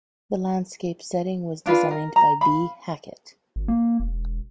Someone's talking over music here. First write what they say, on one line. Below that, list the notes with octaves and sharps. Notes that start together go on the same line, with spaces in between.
The landscape setting was designed by B. Hackett.
D4 F4 B4 F5
A#4
A#5
F5 B5
G#1
A#3
E1